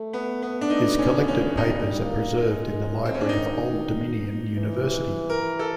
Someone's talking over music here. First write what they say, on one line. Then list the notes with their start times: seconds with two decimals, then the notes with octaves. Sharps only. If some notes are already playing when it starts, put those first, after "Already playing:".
His collected papers are preserved in the library of Old Dominion University.
Already playing: A3
0.13 B3
0.42 B3
0.61 D4
0.70 A3 D#4
0.99 C#4
1.14 A3
1.28 C#4
1.56 G3 D#4
2.00 A#3
2.42 G#3
3.06 C4
3.14 C#4
3.21 D4
3.29 D#3 D#4
4.58 E3
5.30 A#4
5.59 A4